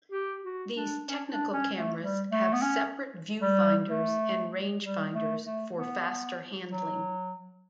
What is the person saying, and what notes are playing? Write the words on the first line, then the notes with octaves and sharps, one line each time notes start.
These "technical cameras" have separate viewfinders and rangefinders for faster handling.
G4
F#4
D4
C#4
D4
C#4
A3
G3
A3
B3
C#4
G3
A3
G3
A3
A3
B3
F#3